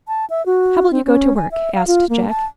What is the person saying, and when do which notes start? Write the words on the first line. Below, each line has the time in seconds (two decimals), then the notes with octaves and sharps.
"How will you go to work?" asked Jack.
0.08 A5
0.30 E5
0.46 F#4
0.91 C4
1.05 C#4
1.37 G#5
1.51 E5
1.74 F5
1.87 F4
2.09 A#3
2.29 A5